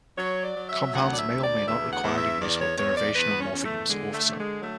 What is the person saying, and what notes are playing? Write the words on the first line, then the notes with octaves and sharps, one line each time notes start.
Compounds may or may not require the use of derivational morphemes also.
F#3 C#5
D5
F#3
E5
D2 F#5
D5
E5
D2
D5
E2 E5
F#5
E2
E5
E2 D5
C#5
E2 C#5
D5
E2 B4
B3
C#4
E2
A3
D3 G#3
A3
D3
G#3
F#3 A3